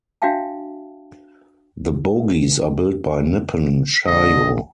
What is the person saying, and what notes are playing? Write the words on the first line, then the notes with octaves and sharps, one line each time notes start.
The bogies are built by Nippon Sharyo.
D4 F#4 E5 F5 G5 A5
A#1 D3 D#5